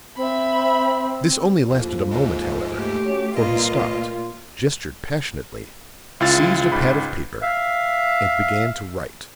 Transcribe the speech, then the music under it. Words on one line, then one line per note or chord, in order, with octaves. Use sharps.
This only lasted a moment, however; for he stopped, gestured passionately, seized a pad of paper and began to write.
C4 E5 B5
D#2 A2 F3
D#2 G#2 G#3
A3 G4
C#4 F#4 C#5
C2 A#2 A#3 F4 A#4 B4 D#5
C#2 E4 F4 F5 E6 A6
C#2 G#2 B5
E5 F5